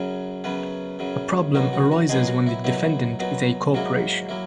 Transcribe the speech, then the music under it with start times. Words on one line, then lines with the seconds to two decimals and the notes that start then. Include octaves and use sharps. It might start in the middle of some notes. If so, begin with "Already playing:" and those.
A problem arises when the defendant is a corporation.
Already playing: F#2 C#3 F#3
0.44 F#2 C#3 F#3 B3 B4
0.99 F#2 C#3 F#3
1.55 A#2 F#3 B3 D#4
1.73 F#4
1.92 F#4
2.09 A#2 F#3 G#3 B3 D#4 G#4
2.28 F#4
2.47 E4
2.64 A#2 F#3 B3 D#4 E4
3.19 A#2 F#3 B3 D#4
3.74 G#2 F#3 A#3 E4 F#4
4.29 F#3 A#3 E4